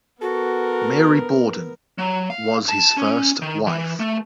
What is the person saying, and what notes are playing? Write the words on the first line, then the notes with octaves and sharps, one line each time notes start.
Mary Borden was his first wife.
B3 F#4 A4 A#4
F#3
F5
A5
C#4
D#3
E3
A3